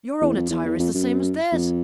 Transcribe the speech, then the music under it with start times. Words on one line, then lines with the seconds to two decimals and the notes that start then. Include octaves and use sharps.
Your own attire is the same as theirs.
0.22 E2
0.36 F2
0.50 E2
0.65 E2
0.79 F2
0.94 F#2
1.52 F2